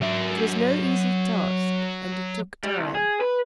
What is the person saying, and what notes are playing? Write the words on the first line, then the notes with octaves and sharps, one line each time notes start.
It was no easy task, and it took time.
F#3 E5
G3
C2
G#4
B4